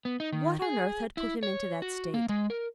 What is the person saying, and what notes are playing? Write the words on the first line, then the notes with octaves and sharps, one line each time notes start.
What on earth had put him into that state?
B3
D#4
D#3
G#4
E4
C#5
F#4
A#3
G#3
A#4